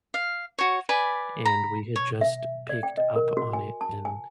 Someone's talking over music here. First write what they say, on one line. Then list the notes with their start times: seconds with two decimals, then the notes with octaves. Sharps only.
and we had just picked up on it in
0.14 F5
0.59 F#4 C#5
0.89 B4 D5 G#5 B5
1.45 A#5 B5
1.96 C#5
2.21 E5
2.69 D5
2.83 G5
2.97 D#5
3.16 A#4
3.37 F#4
3.53 G#5
3.81 A5
4.05 G#5